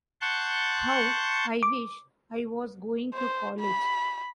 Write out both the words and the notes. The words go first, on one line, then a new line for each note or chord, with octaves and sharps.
How I wish I was going to college!
F#5 A5 C6 C#6 F#6 G6
D6
C5
B5